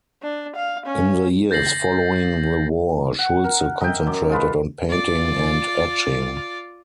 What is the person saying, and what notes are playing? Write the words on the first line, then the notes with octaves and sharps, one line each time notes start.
In the years following the war, Schulze concentrated on painting and etching.
D4
F5
C#4
G6 A6 A#6 C7 F#7
F#5
A#4
D#5 E5 G5
F#2 D6
G#3 F4 B4
F4 D5